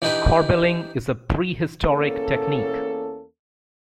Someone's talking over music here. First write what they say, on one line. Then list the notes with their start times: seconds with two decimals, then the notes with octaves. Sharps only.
Corbelling is a pre-historic technique.
0.02 E3 D4 D#4 G4 B4
1.85 E2 A#3 C#4 A4